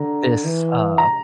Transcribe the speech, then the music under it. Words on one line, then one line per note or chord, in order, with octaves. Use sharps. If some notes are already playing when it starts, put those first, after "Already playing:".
This, uh,
Already playing: D3 A#5
E3
A#5